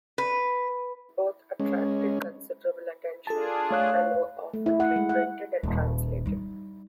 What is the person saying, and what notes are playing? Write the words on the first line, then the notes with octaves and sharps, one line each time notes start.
Both attracted considerable attention, and were often reprinted and translated.
B4
G#3 C#4
D4 F4 G#4 A4 A5
A3 C#5 F5 F#6
A3
E4
F#5
G#3
F#5
D#1
G3 D#4